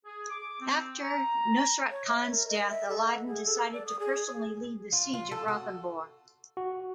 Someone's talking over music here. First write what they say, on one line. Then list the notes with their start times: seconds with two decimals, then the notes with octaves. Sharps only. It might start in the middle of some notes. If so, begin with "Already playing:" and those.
After Nusrat Khan's death, Alauddin decided to personally lead the siege of Ranthambore.
0.06 G#4
0.30 D6
0.61 C4
1.03 A#5
1.91 C#5
2.08 E5
2.31 A#4
2.49 D#5
2.69 E5
2.89 A4
3.06 F#5
3.27 G#4
3.44 A4
3.73 D5
3.86 D#6
4.00 G#4
4.92 F4
5.14 F4
5.32 A4
5.48 F#4
6.57 F#4